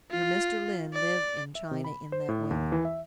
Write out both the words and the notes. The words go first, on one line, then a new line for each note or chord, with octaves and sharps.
Your Mr. Lyne lived in China in that way.
F4
D5
E5
C3
B5
C5
A2
D#2
E3
E5